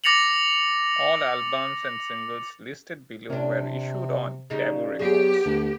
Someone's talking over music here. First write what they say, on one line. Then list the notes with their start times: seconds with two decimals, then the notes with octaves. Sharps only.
All albums and singles listed below were issued on Tabu Records.
0.04 D6 A6 A#6 C#7 F7 F#7
3.30 C3 C#4 D4
4.50 C#3 G3 D#4
4.99 F#3 B3 G4 G#4
5.45 D2